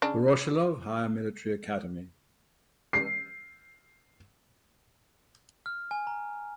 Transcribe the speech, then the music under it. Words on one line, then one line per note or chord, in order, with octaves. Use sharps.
Voroshilov Higher Military Academy.
C#3 D4
C7
F6
G#5
A#5